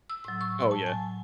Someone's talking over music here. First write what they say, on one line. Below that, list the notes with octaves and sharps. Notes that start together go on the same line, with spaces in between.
Oh, yeah.
E6
A2 F#3 E6
C#6
A5
A2 F#3 G#5